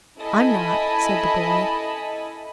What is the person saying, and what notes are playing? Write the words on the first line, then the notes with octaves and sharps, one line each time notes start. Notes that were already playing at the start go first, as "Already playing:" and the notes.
"I'm not," said the boy.
E4 A4 D#5 G#5 A5 B5